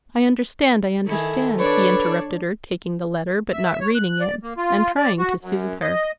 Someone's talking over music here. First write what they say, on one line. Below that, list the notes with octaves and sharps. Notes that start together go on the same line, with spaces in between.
"I understand, I understand," he interrupted her, taking the letter, but not reading it, and trying to soothe her.
D#3 E4 G#4 A4
D4 B4 C#5 D5
E5
C#5
F#6
D5
A#3
F4
D5
F#4
F#2
D#5